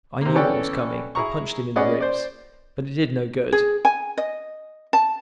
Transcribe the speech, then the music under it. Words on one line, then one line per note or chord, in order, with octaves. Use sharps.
I knew what was coming and punched him in the ribs, but it did no good.
C3 A#3
E3 B3 C#4 A4 D5 G5
E4 G#4 A#5 C#6
B3 C#4 G#4 D5 D#5 F#5
C5 D5
G#4
G#5
D#5
A5